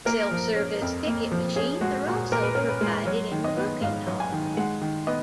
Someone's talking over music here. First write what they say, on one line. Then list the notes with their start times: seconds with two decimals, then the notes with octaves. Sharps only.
Self-service ticket machines are also provided in the booking hall.
0.05 A#3 A#4
0.31 F3
0.56 C#4
0.82 F2
1.07 A#3
1.31 F3
1.56 C#4 G#4
1.81 G#3 F#4
2.07 A#2 F#4
2.32 A#2 A#4
2.43 B4
2.55 C#4 A#4
2.68 B4
2.81 G#3
3.07 F#3 C#5
3.32 D#3
3.44 D#5
3.57 B3
3.81 G#2 F5
4.07 F#3
4.20 G#5
4.33 D#3
4.57 G#3 F#5
4.82 D#3
5.07 B3 D#5